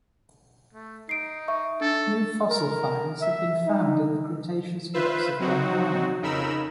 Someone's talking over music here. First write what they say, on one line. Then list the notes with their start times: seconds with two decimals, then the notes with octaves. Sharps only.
New fossil finds have been found in the Cretaceous rocks of Gondwana.
0.73 A3
1.09 D#4 C7 D7
1.48 E5 C#6
1.81 D4 A4
2.50 A#4
3.21 E5
3.66 D#4
4.94 F4 B4 C5 E5
5.39 F#3 C4 D#4 F#4
6.22 F2 C#3 D#4 A#4 B5 E6